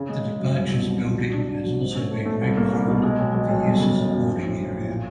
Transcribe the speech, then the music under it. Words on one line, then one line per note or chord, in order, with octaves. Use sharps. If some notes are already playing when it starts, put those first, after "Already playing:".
The departures building has also been remodelled for use as a boarding area.
Already playing: C#3
G#3
C#3
F#2
C2
B2
C2
C2
F#3
D4
D4
F#3
G#2
C#4
A3
A3
C2
A#3
C2
B2
G#3
B1
B1
B1
G1
C#3
G1
F#2
A#1
A2
A#1
A2
A#2